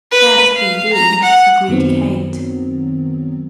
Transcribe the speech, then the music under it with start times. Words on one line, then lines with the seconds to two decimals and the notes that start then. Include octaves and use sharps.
"That we do!" agreed Kate.
0.11 B4
0.56 F5
0.93 A#5
1.23 F#5
1.68 F#2 D#3 F#3 B3 C4